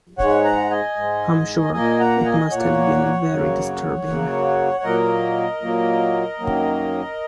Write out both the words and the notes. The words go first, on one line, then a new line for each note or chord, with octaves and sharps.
I’m sure it must have been very disturbing.
G#2 G#3 C#5 F#5
F#5 A#5
D#5 G#5
G#2 G#3
A#2 A#3 D#5 G#5
F#5 A#5
D#5 G#5
A#2 A#3 C#5 F#5
F#2 C#3 F#3 A#3
F#2 C#3 F#3 A#3
C#5
A#2 F#3 A#3 A#4 D#5
A#2 F#3 A#3
F#2 D#3 F#3 A#3